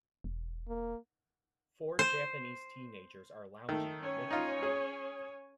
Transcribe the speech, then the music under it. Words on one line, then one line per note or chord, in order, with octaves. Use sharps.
Four Japanese teenagers are lounging and looking around.
E1
A#3
C5
D#3 A3
C#4 C#5 G#5
D#4 F4
G#4